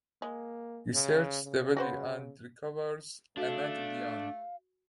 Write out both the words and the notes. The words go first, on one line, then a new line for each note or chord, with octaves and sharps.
He searches the body and recovers a medallion.
G#3 A#3
C#3
C#3
F#4 B4 C5
A3 D4 F#4 F5